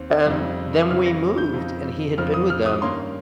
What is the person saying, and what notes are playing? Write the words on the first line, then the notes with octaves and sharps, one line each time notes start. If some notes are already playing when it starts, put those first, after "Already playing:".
And then we moved, and he had been with them
Already playing: D#2 C4
F2 C#3 G3 C4 D#4
F2 C#3 G3 C4 D#4 F6
A#6
G6
F2 C#3 F3 C4 D#4
F2 C#3 F3 C4 D#4 F6
D#6
F6
D#6
G2 D#3 A#3 C#4 C6